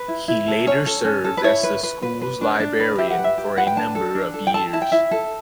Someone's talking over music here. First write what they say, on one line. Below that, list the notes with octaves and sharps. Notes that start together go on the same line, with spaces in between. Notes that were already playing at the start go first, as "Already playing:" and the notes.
He later served as the school's librarian for a number of years.
Already playing: B4
E4
E4
A4
C#4 C#5
A4
C#4
A4
B4
E4 C#5
B4
B4
B4
B4
D4
D4
B4
G4 E5
F#5
B4
E5
G4
B4 F#5
G5
D4 A5
A4
D4
A4
G5
A4 A5
E4 A5
G5
E4 E5
A4